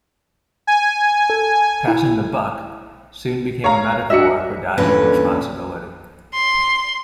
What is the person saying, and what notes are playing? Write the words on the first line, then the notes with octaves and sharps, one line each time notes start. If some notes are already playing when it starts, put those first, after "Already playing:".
"Passing the buck" soon became a metaphor for dodging responsibility.
G#5
A4
E4
C#5 F5 A#5
D4 F#4 D#5 E5 C#7
E2 A#2 D3 C#4 A4 B4
C6